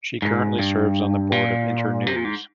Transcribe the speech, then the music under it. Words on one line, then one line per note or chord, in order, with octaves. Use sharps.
She currently serves on the Board of Internews.
G#2
G2
A#2
C3
A#2
G#2